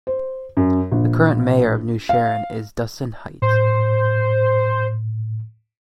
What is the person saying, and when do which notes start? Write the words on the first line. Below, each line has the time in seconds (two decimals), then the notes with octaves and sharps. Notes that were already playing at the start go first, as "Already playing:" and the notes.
The current Mayor of New Sharon is Dustin Hite.
0.07 C5
0.57 F#2
0.92 A#1
2.09 F5
3.42 A2 C5